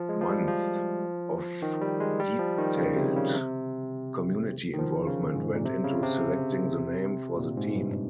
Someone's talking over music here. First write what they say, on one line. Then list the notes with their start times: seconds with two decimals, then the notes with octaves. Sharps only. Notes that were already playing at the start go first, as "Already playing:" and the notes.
Months of detailed community involvement went into selecting the name for the team.
Already playing: F3
0.09 G#3
0.21 F3
0.28 G3
0.47 F3
1.62 D#3
1.81 G3
2.00 G#3
2.19 G3
2.39 F3
2.58 D#3
2.76 C#3
2.96 C3
3.16 C#3
3.34 C3
4.74 D#3
4.78 F3
5.07 C#3
5.35 G#2
5.55 A#2
5.65 C3
5.84 C#3
6.03 C3
7.36 A#2
7.57 G#2
7.75 G2